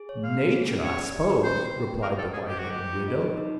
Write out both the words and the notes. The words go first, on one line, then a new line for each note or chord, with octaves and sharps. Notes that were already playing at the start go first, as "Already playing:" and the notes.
"Nature, I s'pose!" replied the white-haired widow.
Already playing: G#4
C#5
A#3 F5
C#4
G#4
C#4
G4 C#5
D5
G4
G4
B4 C5
G5
B4
G5
A#4 F#5
A4 C5
G#4 C5
G4 D#5
F#4 A#4
G4
A#4
F4
D#5
D#4
D#4